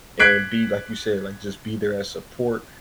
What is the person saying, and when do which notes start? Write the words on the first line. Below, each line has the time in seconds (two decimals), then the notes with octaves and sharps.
and be like you said, like just be there as support,
0.20 F#6 G#6 B6 C7 D7